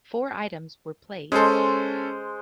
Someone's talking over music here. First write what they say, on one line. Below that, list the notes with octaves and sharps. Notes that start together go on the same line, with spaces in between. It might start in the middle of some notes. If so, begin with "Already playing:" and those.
Four items were played.
G#3 C#4 A4 C5